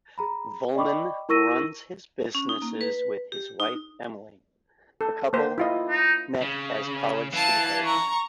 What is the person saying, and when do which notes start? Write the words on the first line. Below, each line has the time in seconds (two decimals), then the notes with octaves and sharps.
Volman runs his businesses with his wife Emily; the couple met as college sweethearts.
0.18 G#4 A#5 B5
0.75 D5 D#5 G5 B5 C#6 D6
1.29 E4 A#4 C#6 E6 A#6 D#7
2.35 C#4
2.49 D#4
2.62 A#3
2.81 B4
3.32 G4
3.60 D#4
5.01 A4
5.33 A#3 C5
5.58 E4 F4 D#5
5.89 D#4
6.41 C#3
7.33 E3 F5 A5
7.85 A#5 C#6